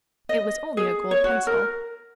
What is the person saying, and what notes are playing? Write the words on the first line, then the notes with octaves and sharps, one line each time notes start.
It was only a gold pencil.
D#5
G#4
C#5
F#4
A#4